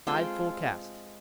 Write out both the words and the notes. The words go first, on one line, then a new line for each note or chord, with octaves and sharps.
"Five full casks?"
G#3 C4 F4 A4